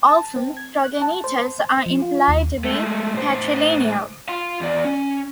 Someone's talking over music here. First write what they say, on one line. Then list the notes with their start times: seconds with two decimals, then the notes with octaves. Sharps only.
Often, progenitors are implied to be patrilineal.
0.09 A5
0.36 C4
0.57 G#6
0.84 F#6
1.02 A5
1.24 C5
1.86 F3
2.02 F4
2.28 D#2
2.64 G#3 A3
3.14 A2 C5
4.28 F5 C6
4.61 E2 D5
4.85 C#4